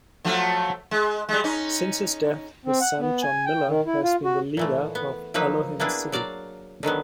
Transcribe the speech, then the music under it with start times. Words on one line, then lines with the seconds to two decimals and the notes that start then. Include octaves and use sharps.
Since his death, his son John Millar has been the leader of Elohim City.
0.24 F3 F#3 A3
0.91 G#3
1.29 G3 G#3
1.44 C#4 D#4
2.66 C4
2.81 F#5
2.99 B3
3.23 G#5
3.46 G5
3.68 D#3
3.86 E4
4.02 F4
4.25 F#4
4.57 A#2 E3 A3
4.95 B3
5.34 F3 F#3 A#3 D#4 B4 E5
5.80 A#3 B3 D4 E4 G#4
6.12 F#3 D5 F5 A#5
6.83 D3 D#3 F#3 B3